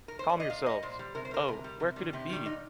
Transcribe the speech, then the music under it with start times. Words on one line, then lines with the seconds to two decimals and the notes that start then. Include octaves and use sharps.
Calm yourselves! Oh, where could it be?
0.08 A#4
0.19 C5
0.29 D5
0.40 D#5
0.50 A#2 F5
0.66 G3 D#5
0.83 A#2 C5
0.99 G3
1.15 C3 A#4
1.25 C5
1.31 G3 A#4
1.48 C3
1.64 G3
1.80 C3
1.96 D#3 G3
2.13 C3 G4
2.30 D#3 G3
2.46 A#2 D#4